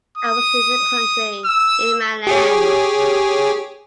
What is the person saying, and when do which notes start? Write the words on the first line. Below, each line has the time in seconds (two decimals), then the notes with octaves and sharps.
I was in the country, in my lands...
0.18 D#6
1.45 E6
2.27 G4 G#4 C#5